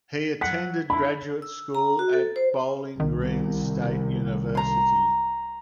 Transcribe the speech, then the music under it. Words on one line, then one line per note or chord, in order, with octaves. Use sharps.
He attended graduate school at Bowling Green State University.
F#3 F#5 B6
D4 E4 B5
E6
A#5
F#4
A4
C5
C2 D#3
A#5 C6